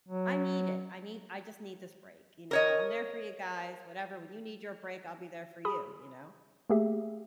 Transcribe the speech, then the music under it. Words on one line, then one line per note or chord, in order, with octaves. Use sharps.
I need it, I need I just need this break, you know? I'm there for you guys, whatever, when you need your break, I'll be there for you," you know?
F#3
A#4 C#5 D#5
G#4 B5 D#6
A3 A#3 G4 G#4 E5